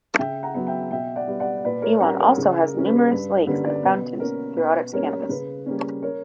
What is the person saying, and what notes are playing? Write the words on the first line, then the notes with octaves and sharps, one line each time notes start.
Elon also has numerous lakes and fountains throughout its campus.
C#3 E5 G5
F#5 A#5
F#3 B3
E5 G5
B2 E5 G5
D5 F#5
G3 B3
D5 F#5
A#2 B4 D5
A#4 C#5
G3 C#4 F#5 A#5
A#4 C#5
C#3
A#4
G3 C#4
B4
G2 B4
D3 G3 A#3 C#4 B4
B4 D5
B2 B4
A#3 C#4 A#4
B2 B4
G3 A#3 C#4 A#4 C#5
C#3 B4
G3 A#3 C#4
A#4 C#5